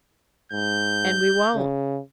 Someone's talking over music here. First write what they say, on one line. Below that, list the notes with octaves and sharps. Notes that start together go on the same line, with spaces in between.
And we won't.
G#2 G6
C#3